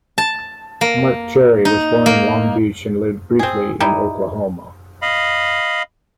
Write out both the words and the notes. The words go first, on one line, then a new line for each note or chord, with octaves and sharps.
Marc Cherry was born in Long Beach and lived briefly in Oklahoma.
A5
A#3
D#4
A#3
C4 G#4
G3 D#4 E4
D#5 F5 B5